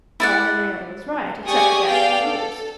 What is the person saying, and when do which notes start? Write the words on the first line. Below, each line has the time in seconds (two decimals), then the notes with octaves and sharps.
Well, Henriette was right--except the Gaster jewels.
0.20 E4 D5 F#5
1.47 G4 G#4 D5 G#5 C#6 D#6
1.86 B3 G#4 D5 F5 G5
2.19 A4